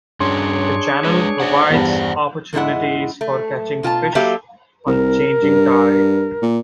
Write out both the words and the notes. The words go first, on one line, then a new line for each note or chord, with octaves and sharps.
The channel provides opportunities for catching fish on the changing tide.
G2 C#4 D4 G#4 C#5 C6
G#3 B4
C5 D5 F#5
E2 G2
E2 G#2 G#3 E4 F#5
A3
B2 F4 G#5 A5
F#3 A#3 G4 A4 E5 F5
C2 A#4
G2
A#2